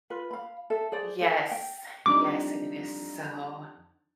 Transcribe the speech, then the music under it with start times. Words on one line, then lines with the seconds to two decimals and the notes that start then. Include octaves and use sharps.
Yes, yes, and it is so
0.10 F4 B4
0.31 F5 B5
0.70 A4 E5
0.92 G#4 C5 D5
1.21 A4
1.51 G5
2.06 F2 G3 D4 D#4 D6